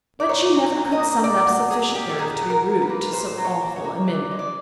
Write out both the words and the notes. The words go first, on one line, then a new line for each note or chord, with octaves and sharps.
But she never could summon up sufficient nerve to be rude to so awful a mimic. . . .
D5
A#2 C#5
F#3
A#2
D#5
A#3
A#2 D5
F#3
A#2 G#4
G#4
A#3 G4
A4
A#2 G#4
F#3
A#4
A#2
B4
A#3
A#2 C5
F#3
C#5
A#2
C#5
A#3
E3 D5
G#3
D5